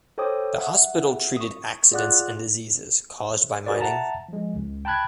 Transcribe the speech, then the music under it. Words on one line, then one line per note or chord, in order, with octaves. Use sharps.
The hospital treated accidents and diseases caused by mining.
A4 C5 C#5 G5 D6 D#6
E5 F#5
C#6 D#6
F4 G#4 D5 F#5 D6 F#6
F#4 G#4 A#4 B4 D5
E5 F#5 A5 A#5
F3 G#3
C#2
G5 A5 B5 F#6 G#6